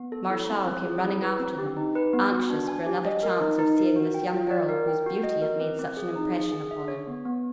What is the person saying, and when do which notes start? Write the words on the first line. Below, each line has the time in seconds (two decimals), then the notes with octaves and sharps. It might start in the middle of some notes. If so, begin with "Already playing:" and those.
Martial came running after them, anxious for another chance of seeing this young girl whose beauty had made such an impression upon him.
Already playing: B3
0.12 A4
0.30 E4
0.49 C4
0.67 C4
0.85 G#4
1.04 E4
1.22 B4
1.40 C4
1.58 G4
1.77 D#4
1.95 B4
2.13 B3
2.31 F#4
2.50 D4
2.68 G#5
2.86 G4
3.05 D#5
3.23 A#4
3.41 D#4
3.59 D#4
3.78 A#4
3.96 F#4
4.14 G5
4.33 F4
4.51 D5
4.69 A#4
4.88 G5
5.06 F#4
5.23 D#5
5.42 A#4
5.60 C4
5.79 C4
5.97 G#4
6.16 D#4
6.33 G#4
6.52 G#4
6.71 E5
6.88 C#5
7.07 B3
7.25 B3